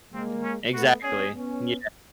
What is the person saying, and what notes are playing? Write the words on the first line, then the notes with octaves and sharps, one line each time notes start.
meh exactly, yeah.
G#3 A#3 C4
C#4
A3 B3 F#4
B3 C#4 G#4
B3 C#4